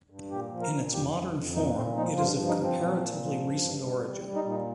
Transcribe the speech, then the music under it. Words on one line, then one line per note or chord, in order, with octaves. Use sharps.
In its modern form it is of comparatively recent origin.
G2
A#2 G4
F3
A#4
A#2
F2 G4
F2
F2
A#2 D#4
A#2 C4
F3 D#4
G2 F4
F3
D#4
F3 C4
A#2
A#2
F3
G2
G2
G3
G3
C4
G3
D#4
A#2
D#4